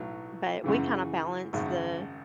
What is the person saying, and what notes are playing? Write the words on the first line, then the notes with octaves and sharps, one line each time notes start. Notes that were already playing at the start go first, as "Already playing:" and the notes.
but we kinda balance the
Already playing: B1 A2 F#3
F#2 C#3 E3
G#1 F#2 C#3